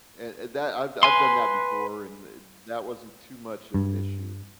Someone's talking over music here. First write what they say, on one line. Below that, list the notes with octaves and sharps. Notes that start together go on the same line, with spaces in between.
and and that I've I've done that before, and th that wasn't too much of an issue.
B4 G#5 C6
G2